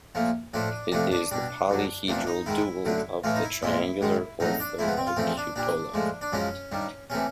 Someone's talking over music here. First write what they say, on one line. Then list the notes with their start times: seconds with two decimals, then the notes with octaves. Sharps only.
It is the polyhedral dual of the triangular orthobicupola.
0.15 A#2 F3 A3
0.54 A2 F3 A3 D4
0.92 F2 C3 F3 A3 D4
1.11 D4
1.31 B2 G3 D4
1.70 F#2 D3 F#3
2.08 E2 C3 F3 A3 D4
2.27 D#4
2.46 G#2 D#3 G#3 E4
2.85 F#2 D3 F#3 A3
3.24 A2 E3 A3 F4
3.35 D#4
3.43 E4
3.62 A#2 F3 G#3 E4
4.01 G#2 D#3 G#3
4.40 F2 C#3 F#3 A3 D#4
4.60 D4
4.79 G#2 F3 A3 E4
4.87 B3
4.97 C4
5.07 F4
5.16 E2 C#3 F3 A3 C4
5.37 D4
5.56 A#2 G3 D4
5.94 A2 F3 G#3
6.21 D4
6.33 F#2 C#3 F3 G#3 C#4
6.72 G2 D#3 G3
7.10 C3 E3 A3 C#4